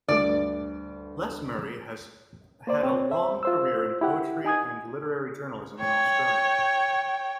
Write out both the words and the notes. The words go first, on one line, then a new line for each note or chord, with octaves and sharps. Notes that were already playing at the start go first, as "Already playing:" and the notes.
Les Murray has had a long career in poetry and literary journalism in Australia.
D2 G2 D5
A#3 C5 D5
C4 C#5
C5 E5
F4 C5 E6
E4 G4 F#5
D#4 G#5 D#6 G#6
C#5 G5